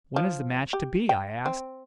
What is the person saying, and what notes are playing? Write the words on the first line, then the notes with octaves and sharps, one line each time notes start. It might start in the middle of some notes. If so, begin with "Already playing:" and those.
"When is the match to be?" I asked.
F3
G4
G5
C4